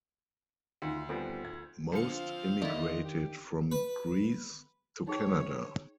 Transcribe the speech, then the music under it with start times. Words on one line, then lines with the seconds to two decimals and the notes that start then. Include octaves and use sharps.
Most immigrated from Greece to Canada.
0.82 D2 D#3 F4
1.09 G3 B3 C4 F4 A4 G#5
1.45 G#6
1.92 D3 F3 C4 F5 C#7
2.62 D#3 D4 E4 A4 D5 D#5
3.05 G4
3.72 B4
5.07 D#4 G#4 C#5 G5